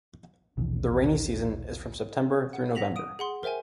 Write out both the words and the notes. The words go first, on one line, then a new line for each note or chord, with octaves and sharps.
The rainy season is from September through November.
A#1 D#2 B2 E3
F#5
F#5 A#6 B6 F7 F#7
D#6 D7 D#7
G#4 F#5 C6
A#4 C5 E5 G5 G#5